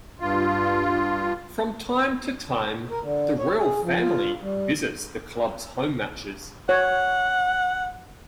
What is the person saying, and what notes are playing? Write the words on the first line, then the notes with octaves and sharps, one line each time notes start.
From time to time the royal family visits the clubs home matches.
G2 F4
A#4
D3
C#5
G#4
F3
F4
G3
C#5 F#5